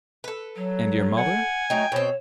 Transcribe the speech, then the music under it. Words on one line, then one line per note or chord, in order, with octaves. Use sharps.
"And your mother?"
A4 B4
F#3
F#5 G#5
F#3 A3 D#4 G5
B2 C4 C#5